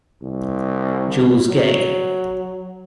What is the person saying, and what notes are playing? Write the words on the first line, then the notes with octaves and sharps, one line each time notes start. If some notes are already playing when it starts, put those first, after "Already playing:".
Jules Gay.
C2
F#3